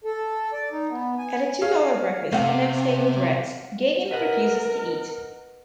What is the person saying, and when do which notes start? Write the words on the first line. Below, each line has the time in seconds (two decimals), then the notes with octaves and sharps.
At a two dollar breakfast the next day with Retz, Gagin refuses to eat.
0.04 A4
0.52 D5
0.72 D#4
0.91 B3
1.19 G#5
1.61 G#4 C#5 F5
2.32 C3 A3 F5 F#5
4.11 A#4 B4 D#5 F#5